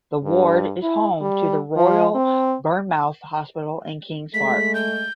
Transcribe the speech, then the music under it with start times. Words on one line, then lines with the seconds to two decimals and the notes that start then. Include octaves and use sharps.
The ward is home to the Royal Bournemouth Hospital and Kings Park.
0.24 G2
0.82 E4
1.21 G3
1.76 F3
2.15 C4
4.33 G#3 A3 B6
4.74 G6